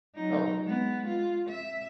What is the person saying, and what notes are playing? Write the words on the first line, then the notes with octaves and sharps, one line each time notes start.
Oh, yeah.
F#3 D#4
G#3 B3
F4
E5